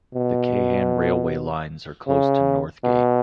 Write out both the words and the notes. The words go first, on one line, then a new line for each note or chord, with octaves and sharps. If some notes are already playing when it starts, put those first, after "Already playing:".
The Keihan Railway Lines are close to north gate.
B2
C#3
B2